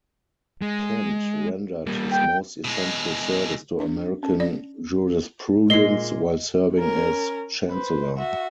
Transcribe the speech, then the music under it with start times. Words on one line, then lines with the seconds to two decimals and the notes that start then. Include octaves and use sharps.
Kent rendered his most essential service to American jurisprudence while serving as chancellor.
0.62 G#3
1.87 G3 A#3
2.11 G5
2.64 B2 G#3
3.80 D4
4.23 C#4
4.40 D5
5.70 A#2 G#3 D#5 C7 G7
6.75 C#4 A#4
7.70 B4 C5
8.16 F#4 E5